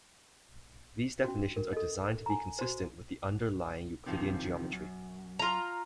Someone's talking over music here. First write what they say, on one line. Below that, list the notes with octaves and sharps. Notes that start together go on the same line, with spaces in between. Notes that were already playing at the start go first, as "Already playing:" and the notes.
These definitions are designed to be consistent with the underlying Euclidean geometry.
C#4 F#4
A#4
A4 D#5
G#5 A#5
F#4 C5
C3 D#3 F3
F#2
F4 A#5